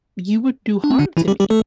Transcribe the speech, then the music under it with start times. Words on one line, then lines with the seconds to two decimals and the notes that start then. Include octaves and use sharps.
you would do harm to me
0.84 D4
0.91 C4
0.99 D3 D4
1.17 E3 E4
1.28 G3 G4
1.40 G3 G4
1.50 A3 A4